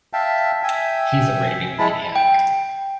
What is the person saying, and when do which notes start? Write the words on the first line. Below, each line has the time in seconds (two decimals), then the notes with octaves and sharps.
He's a raving maniac.
0.13 E5 F5 G5 A5
0.63 E5 G5 G#5
1.79 G#3 E4 A5 B5
2.16 G5